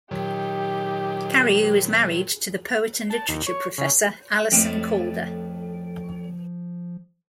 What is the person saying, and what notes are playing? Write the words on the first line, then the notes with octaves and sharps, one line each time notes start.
Cariou is married to the poet and literature professor Alison Calder.
A#2 D#3 F#3 D#4 G4
A5
D#2
C#5
C#3
F2 A2 F3